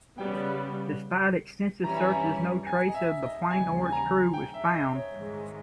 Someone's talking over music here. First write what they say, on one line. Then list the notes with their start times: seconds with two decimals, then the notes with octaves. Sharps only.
Despite extensive searches no trace of the 'plane or its crew was found.
0.18 C#3 G3 B3 G5
1.84 G2 E3 G3 C#4 E4 A#5
1.97 G#5
2.09 A#5
2.67 G#5
2.88 D#5
2.94 E5
3.23 D#5
3.50 D#2 C#3 E3 G3 G#5
3.86 G#5
3.92 A#5
4.33 G5
4.54 E5
4.75 D#5
4.95 C#5
5.16 G#2 D#3 G#3